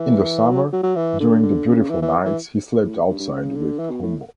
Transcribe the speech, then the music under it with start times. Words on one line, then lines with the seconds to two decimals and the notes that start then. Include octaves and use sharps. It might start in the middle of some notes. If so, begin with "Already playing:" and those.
In the summer, during the beautiful nights, he slept outside, with Homo.
Already playing: E3
0.49 F#3
0.72 F#3
0.83 F#3
0.96 E3
1.19 D3
1.43 D3
1.66 C#3
1.90 E3
2.02 E3
2.25 E3
2.84 A2
3.08 G2
3.19 G2
3.32 C#3
3.56 D3
3.79 E3
3.90 B2
4.03 A2